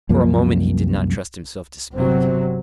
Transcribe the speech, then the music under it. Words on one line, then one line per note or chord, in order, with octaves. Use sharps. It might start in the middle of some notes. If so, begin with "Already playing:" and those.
For a moment he did not trust himself to speak.
C2 F#2 F3 A#3
G1 C3 F#3 C4